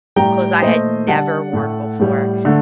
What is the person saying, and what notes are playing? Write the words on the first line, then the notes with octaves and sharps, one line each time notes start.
Clothes I had never worn before.
A2 G3 G5 A#5
A#2 A3 C5 D#5
D3 G3 F#5 A5
A2 A3
A2 G3
D3 A3